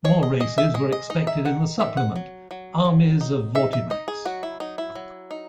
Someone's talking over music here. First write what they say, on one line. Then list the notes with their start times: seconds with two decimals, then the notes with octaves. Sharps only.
More races were expected in the supplement "Armies of Vortimax".
0.05 G#3 C#5
0.23 D#5
0.40 G#3 D#5
0.58 E5
0.74 G#3 D#5
0.92 D#5
1.10 D#4 D#5
1.27 E5
1.45 D#3 F#5
1.80 D#3 E5
1.97 F#5
2.16 F#3
2.51 F#3
2.85 F#3
3.21 D#4
3.55 D#4 E5
3.73 E5
3.90 D#4 D#5
4.08 G#4
4.25 F#3 F#4
4.43 E4
4.60 F#3 D#4
4.78 E4
4.95 F#3
5.31 D#4